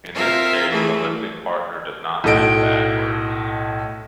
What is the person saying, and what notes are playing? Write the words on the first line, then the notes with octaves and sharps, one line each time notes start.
In this case, the lifting partner does not bend backwards.
C4 F4 A#4 E5 F5
E3 A3 G#4 A4
B1 A2 A4 D#5 D7